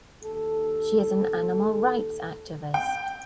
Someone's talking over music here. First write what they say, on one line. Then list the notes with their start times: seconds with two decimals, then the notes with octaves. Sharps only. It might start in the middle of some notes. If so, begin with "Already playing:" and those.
She is an animal rights activist.
0.23 D#2 A4
2.74 G5